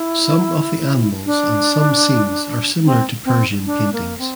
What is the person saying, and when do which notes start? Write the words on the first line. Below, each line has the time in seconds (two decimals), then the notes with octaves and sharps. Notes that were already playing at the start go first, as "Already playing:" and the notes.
Some of the animals and some scenes are similar to Persian paintings.
Already playing: E4
1.26 D4
2.85 C4
3.25 C4
3.66 D4
3.93 A#3
4.18 C4